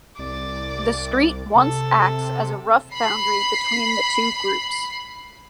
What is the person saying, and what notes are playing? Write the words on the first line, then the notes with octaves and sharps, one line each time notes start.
The street once acts as a rough boundary between the two groups.
C2 D5
C3 A4
B5 C7